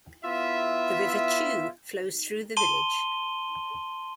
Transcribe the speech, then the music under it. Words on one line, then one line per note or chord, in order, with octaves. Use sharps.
The River Chew flows through the village.
B3 E4 F4 E5
A5 C6 D#7 G7